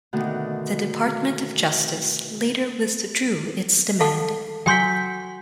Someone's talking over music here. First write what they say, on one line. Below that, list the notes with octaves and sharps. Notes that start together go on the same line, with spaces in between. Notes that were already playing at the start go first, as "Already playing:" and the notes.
The Department of Justice later withdrew its demand.
B2 D3 D#3 A3
A4 F5 A5
F#3 G5 G#5 C6 G6 B6